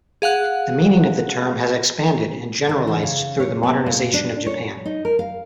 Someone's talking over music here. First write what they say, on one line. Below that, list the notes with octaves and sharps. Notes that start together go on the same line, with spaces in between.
The meaning of the term has expanded and generalized through the modernization of Japan.
G#4 F5 F#5 F#6
D3
E3
C#3
C#5
B3
A#2
D4
C#5
D#4
A#4
F5